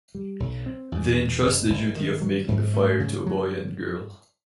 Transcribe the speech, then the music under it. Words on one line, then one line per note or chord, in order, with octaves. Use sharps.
They entrust the duty of making the fire to a boy and girl.
G3
B1
C4
E2
B2
F#1
F#1
D#3
F#3
G#2
A3
C#3
F#3